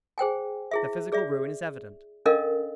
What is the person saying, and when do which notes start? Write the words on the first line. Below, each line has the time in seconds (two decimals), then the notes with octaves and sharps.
The physical ruin is evident.
0.18 G#4 C5 G5 G#5
0.71 E4 G#4 E5
1.12 G#4 D5 E5
2.26 C#4 D4 A4 A#4 D#5 F5